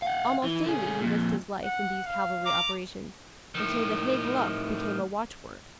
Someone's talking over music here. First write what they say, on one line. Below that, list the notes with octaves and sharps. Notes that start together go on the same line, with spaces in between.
Almost daily he risked his life in these cavalry operations--until the "Haig luck" became a watchword.
F5 F#5
E3
D3 G#4
F2 A#2
F#5
F5
A#5 D6
A2 D#3